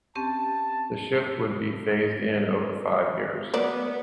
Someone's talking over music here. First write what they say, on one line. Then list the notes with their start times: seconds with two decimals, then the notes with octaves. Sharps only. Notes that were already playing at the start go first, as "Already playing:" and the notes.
The shift would be phased in over five years.
0.15 C4 C#4 G4 A5
3.54 F#3 A#3 B3 D5